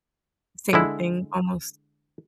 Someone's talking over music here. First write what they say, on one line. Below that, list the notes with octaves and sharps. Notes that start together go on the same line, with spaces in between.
same thing almost
D3 G#3 E4